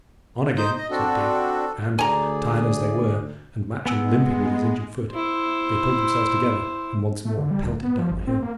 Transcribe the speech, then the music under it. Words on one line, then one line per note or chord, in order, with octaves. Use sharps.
"On again," said Dick; and, tired as they were, and Matcham limping with his injured foot, they pulled themselves together, and once more pelted down the hill.
D#4 C5 G6
D#5
C4 D4 F#4 A4
D2 G#4 D5 G#5 A#5 D#6
G#3 B3 G#5 E6
E4 C5
A3
D3
G3
D2
B3
F3
G#1
C4
A#3